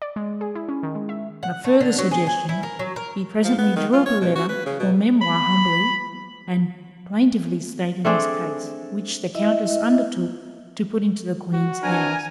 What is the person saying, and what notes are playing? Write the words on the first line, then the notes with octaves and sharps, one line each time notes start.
On a further suggestion, he presently drew up a letter or memoir humbly and plaintively stating his case, which the countess undertook to put into the Queen's hands.
D5
G#3
G#4
E4
C#4
D#3
G#3
E5
F#5
A3
D3
F#3
G#4
G#5
E4
A#4
F#3
A#4
F3
B3
D#3
F4
C#5
B2
F#4
B4
C#3
B2
B5
A3 C4 D4 G#4
E4 D#5 E5
F#4
E3 C4 D4 A#4 G#5